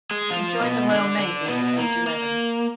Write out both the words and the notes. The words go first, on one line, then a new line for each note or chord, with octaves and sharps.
He joined the Royal Navy at age eleven.
G#3 G#4
F3 F4
B2 B3
D3 D4
D3 D4
B2 B3
A#3
A#3